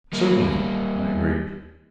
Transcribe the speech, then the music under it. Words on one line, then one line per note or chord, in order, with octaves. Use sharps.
"Certainly!" I agreed.
G3 A#3